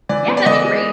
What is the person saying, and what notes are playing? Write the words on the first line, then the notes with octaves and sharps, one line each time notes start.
Yeah, that'd be great.
E3 D5
B3
D5
E3 D#5
G#3